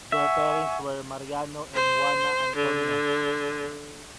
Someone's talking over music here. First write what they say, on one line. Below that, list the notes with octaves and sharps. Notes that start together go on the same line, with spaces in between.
Their parents were Mariano and Juana Antonia.
E5 F#5 G#5 C#6
C5
D3